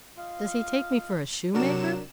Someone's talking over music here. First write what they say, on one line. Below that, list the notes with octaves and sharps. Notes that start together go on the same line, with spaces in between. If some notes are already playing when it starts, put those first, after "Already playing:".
Does he take me for a shoemaker?'
F4 D#5 F5
C3 F#3 D4 F#4 A#4 D5 E7